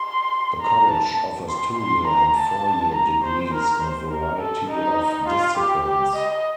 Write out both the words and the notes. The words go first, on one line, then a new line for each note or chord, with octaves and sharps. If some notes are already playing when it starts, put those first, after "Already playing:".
The College offers two-year and four year degrees in a variety of disciplines.
Already playing: C6
A#5
A5
C6
C6
A#5
A5
A#5
C5
A#4
C5
A#4
A4
D#4
F4
G4
G4
D#5